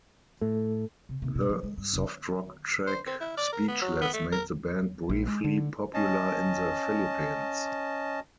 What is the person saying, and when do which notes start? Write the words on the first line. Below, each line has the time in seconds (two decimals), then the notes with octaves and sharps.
The soft rock track "Speechless" made the band briefly popular in the Philippines.
0.42 A2 A3 A4
1.09 C3
1.22 C3
1.35 B2
1.49 F3
1.63 G#3
1.78 G2
1.93 F1
2.87 C5
3.07 C4
3.21 E4
3.38 D5
3.53 A#4
3.68 B3
3.82 F#3
4.02 B3
4.13 A3
4.33 A#4
5.09 A#1
5.28 G#3
5.44 D3
5.94 C#4 D#5 A5